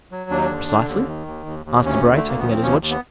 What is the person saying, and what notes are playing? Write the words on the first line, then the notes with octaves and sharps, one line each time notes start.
"Precisely?" asked Debray, taking out his watch.
F#3
D#2 D4
D#4
D4
D3
D3
D#2
D#3
D#2
D#2
D#2
D2 C#4
D3
A3
D2 A#3
F3 B3
C4
D#2 C#4
D#2
B3